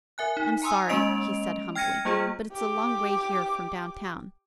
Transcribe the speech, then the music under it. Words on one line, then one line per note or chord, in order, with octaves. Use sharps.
"I'm sorry," he said, humbly; "but it's a long way here from downtown."
A#4 E5 G#5 F#6
D#4
G#5 A#5 C6 D#6 E6
G#3 A#3 C#4 D#5 D7 F7
G5 F6 G#6 A#6 C#7 D#7
G3 A#3 F4 G#4 C5
G4 D6